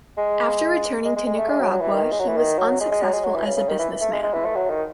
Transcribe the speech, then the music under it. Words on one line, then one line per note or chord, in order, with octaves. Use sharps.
After returning to Nicaragua, he was unsuccessful as a businessman.
G#3
G#3
G#3
G#3
A3
G#3
F#3
F#3
E3
D#3
G#3
F#3
E3
D#3
F#3
G#3
G#3
F#3
G#3
F#3
E3
C#3
C#3
D#3
E3
A3
G#3
G#3
E3
A3
F#3
D#3